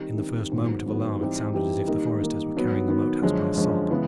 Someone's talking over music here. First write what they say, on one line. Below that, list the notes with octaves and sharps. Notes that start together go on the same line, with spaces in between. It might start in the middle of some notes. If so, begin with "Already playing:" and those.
In the first moment of alarm it sounded as if the foresters were carrying the Moat House by assault.
Already playing: D#3 G3 C4 D#4
D#3 G3 C4 D#4
G#2 D#3 F#3 B3
G#2 D#3 F#3 B3
E3 G3 C4 D#4 G4
E3 G3 C4 D#4 G4
D#3 G3 A#3 D#4
D#3 G3 A#3 D#4
D#3 F#3 B3
D#3 F#3 B3
F#2 D3 F3 G#3 C#4
F#2 D3 F3 G#3 C#4
C#3 E3 G#3 B3